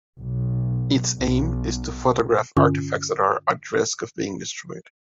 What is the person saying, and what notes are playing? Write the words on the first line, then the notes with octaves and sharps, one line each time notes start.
Its aim is to photograph artifacts that are at risk of being destroyed.
B1
B1
G2 D3 C#4 F4